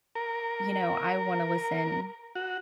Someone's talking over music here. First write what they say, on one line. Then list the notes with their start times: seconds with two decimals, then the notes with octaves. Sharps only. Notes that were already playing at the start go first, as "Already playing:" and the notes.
You know, I wanna listen,
0.15 A#4
2.35 F#4